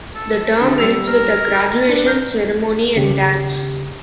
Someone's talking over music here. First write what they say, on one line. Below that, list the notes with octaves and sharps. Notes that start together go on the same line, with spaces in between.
The term ends with a graduation ceremony and dance.
A4
D3 G4
G3 E6 F7
A#4
B3 D4
A#4 G6
D#2 C#3 G4